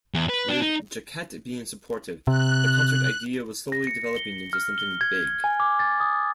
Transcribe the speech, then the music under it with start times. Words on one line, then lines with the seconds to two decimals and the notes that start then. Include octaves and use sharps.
With Jacquette being supportive, the concert idea was slowly developing into something big.
0.14 E2
0.30 B4
0.48 D4
0.62 D#4
2.27 C3 F#6
3.72 A#6
3.87 C#7
4.17 G7
4.53 F6
4.78 G7
5.01 G#6
5.44 G#5
5.60 D6
5.79 A6
6.00 D#6